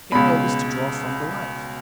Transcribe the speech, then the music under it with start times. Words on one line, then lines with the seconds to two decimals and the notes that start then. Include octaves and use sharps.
He had always to draw from the life.
0.12 C#2 B2 B5